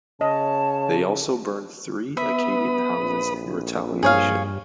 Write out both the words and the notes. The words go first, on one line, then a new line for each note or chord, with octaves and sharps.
They also burned three Acadian houses in retaliation.
C#3 C#5 D#5 A5
B3 B4 E5 B5 D#6
A#1
G2 G#4 C#5 F5